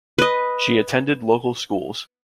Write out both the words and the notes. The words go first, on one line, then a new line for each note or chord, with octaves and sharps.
She attended local schools.
B4 D#5